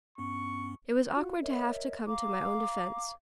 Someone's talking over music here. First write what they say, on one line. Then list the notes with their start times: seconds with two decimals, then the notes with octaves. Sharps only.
It was awkward to have to come to my own defense.
0.18 G2 B3 C#4 C#6
1.14 F4 F#4
1.42 A#4 C#5 D#5 E5
2.06 F5 A#5 D6